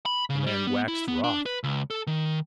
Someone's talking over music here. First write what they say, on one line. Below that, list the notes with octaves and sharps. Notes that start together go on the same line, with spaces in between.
The man waxed wroth.
B5
C#3
G3
B3
E4
B3
D4
B4
C#2
A4
D#3